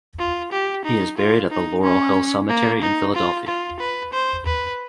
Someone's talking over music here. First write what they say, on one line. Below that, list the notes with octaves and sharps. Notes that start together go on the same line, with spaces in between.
He is buried at the Laurel Hill Cemetery in Philadelphia.
F4
G4
D#4
F4
D#4
C#4
A#3
D#4
F4
F4
B4
C5
B4